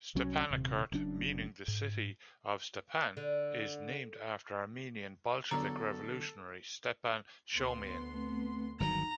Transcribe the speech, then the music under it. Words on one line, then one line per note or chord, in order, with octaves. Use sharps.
"Stepanakert" meaning the "city of Stepan" is named after Armenian Bolshevik revolutionary Stepan Shaumian.
C2 F#3 C#4
D#1 C3
F#1 F#2 D4
G#2
D3
E2 D3 F#3 A4 D5 A#5
D2 B3 C6
A3 C4
G1 D#3 F#3 D#4 A#5